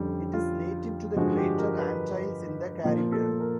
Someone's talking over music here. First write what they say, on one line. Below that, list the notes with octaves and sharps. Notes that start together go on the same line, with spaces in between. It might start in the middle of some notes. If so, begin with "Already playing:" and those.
It is native to the Greater Antilles in the Caribbean.
Already playing: F2 D3 G3 C#4
F4
G2 D3 F3 G#3 F#4
G4
A#4
B4
A#2 F3 A#3
A4
A#4